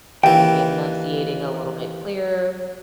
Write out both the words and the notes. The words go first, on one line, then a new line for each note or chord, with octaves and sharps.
maybe enunciating a little bit clearer,
D#2 E3 G5